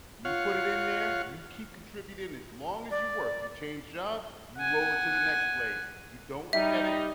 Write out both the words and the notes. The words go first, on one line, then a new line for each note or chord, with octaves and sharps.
you put it in there, you keep contributing as long as you work. You change jobs, you roll it to the next place. You don't look at it.
F4 C#5 F5 F#5
D5
F#5 G#5
G3 D#4 E5